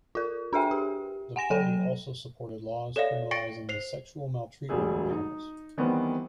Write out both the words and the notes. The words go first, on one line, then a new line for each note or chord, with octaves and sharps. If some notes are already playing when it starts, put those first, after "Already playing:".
The party also supported laws criminalizing the "sexual maltreatment" of animals.
F4 A#4
D4 G#4 A4 E5 G5
G4
F#5 G#5 A#6 E7
F#3 A4 G5
A4 C#5 D5 E5 F5
G5 C#6 A6 A#6 C#7 D7
C5 C7 F7
E1 D2 F#3 G3 G#4 E6
D#4
D#3 E3 G3 B3 C4